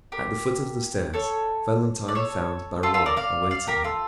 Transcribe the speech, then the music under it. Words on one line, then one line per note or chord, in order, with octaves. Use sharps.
At the foot of the stairs, Valentine found Barrois awaiting her.
G4 A#4
A4 C#5
D5
A4 C#5
F4 A4
F4 A4
A#4 D5
D5 F5
D5 F5
G4 A#4
F4 A4